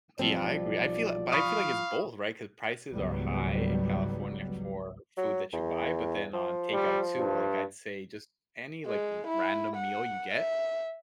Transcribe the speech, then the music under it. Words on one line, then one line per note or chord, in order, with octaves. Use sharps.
De I yeah, I agree, I feel a but, I feel like it's both, right, 'cause prices are high in California for food that you buy, but then on takeout too, like, I'd say just any, like, r random meal you get,
B1 F3 G3 C4 D5
F5 B5 C#6 D#6
G#1 C#2 F#3 G3 B3
F#3
E2
F3
G3
G2
G#3
E4
F#5
E5